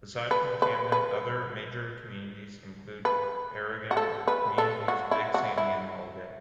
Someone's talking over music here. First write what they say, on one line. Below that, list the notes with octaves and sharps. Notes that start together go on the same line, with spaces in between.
Aside from Camden, other major communities include agrarian communities Big Sandy and Holladay.
B4
B4
B4
B4
F#4
A4
B4
A4
F#4
E4
F#4
E4